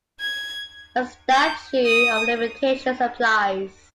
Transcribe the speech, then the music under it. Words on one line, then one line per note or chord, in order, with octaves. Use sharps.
A statute of limitations applies.
G#6
G6
D#6